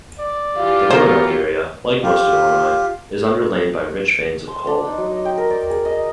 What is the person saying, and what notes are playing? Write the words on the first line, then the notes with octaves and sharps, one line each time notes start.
The Roanoke area, like most of Illinois, is underlain by rich veins of coal.
D5
E3 F4 G4 F5
B3 F#4 A#4 C5 C#5
F4 G4
C6
D4
D#4
F#3
D#5
G5
A#4
D5
G#4
D#5